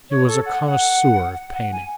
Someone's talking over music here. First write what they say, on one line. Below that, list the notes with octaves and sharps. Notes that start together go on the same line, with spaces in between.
He was a connoisseur of painting.
C#5
A4
F#5
F#5
F#5
G#5